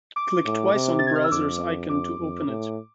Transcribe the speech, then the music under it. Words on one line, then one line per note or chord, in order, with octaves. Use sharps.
Click twice on the browser's icon to open it.
D6
A2
C3
A6
G#6
F6
E6
F2 D6
F2 D6
F2
A2